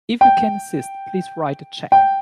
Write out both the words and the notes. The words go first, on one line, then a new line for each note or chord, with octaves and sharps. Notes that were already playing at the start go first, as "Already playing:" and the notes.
If you can assist, please write a cheque.
G5
G5